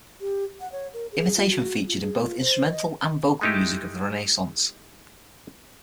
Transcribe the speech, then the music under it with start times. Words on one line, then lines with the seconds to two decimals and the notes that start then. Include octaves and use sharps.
Imitation featured in both instrumental and vocal music of the Renaissance.
0.21 G4
0.60 F#5
0.72 C#5
0.93 A#4
1.12 G#4
1.37 F4
1.50 F#4
1.87 F4
2.02 G#4
2.19 F4
2.40 C5
2.71 D#5
3.41 G#3 A3 D#4 E4 G4